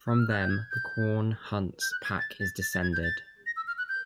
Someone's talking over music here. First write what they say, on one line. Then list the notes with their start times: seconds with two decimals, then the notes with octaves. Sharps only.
From them the Quorn Hunt's pack is descended.
0.09 E6
0.19 F6
0.30 F#6
0.39 G6
0.50 G#6
0.71 G6
1.81 G6
1.91 F#6
2.04 G#6
2.19 A6
2.40 A6
2.61 A6
2.72 A6
2.82 G#6
2.93 G6
3.03 A6
3.46 A#6
3.56 E6
3.67 F6
3.78 F#6
3.89 G6